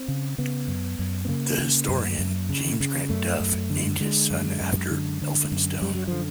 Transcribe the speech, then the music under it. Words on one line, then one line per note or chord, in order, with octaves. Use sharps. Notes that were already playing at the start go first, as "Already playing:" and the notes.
The historian James Grant Duff named his son after Elphinstone.
Already playing: C4
C#3
C#3 B3
F#2
F#2
B3
C#3 A#3
C#3
F#2
F#2
C#3
C#3
F#2 A3
F#2
D3
D3 G#3
F#2
F#2
D3
D3
F#2
F#2 G3
F#3
D3 F3